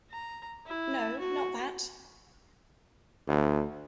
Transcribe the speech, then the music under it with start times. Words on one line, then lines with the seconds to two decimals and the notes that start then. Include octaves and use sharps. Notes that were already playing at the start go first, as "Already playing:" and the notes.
No, not that!
0.10 A#5
0.66 E4
1.19 F#4
3.28 D2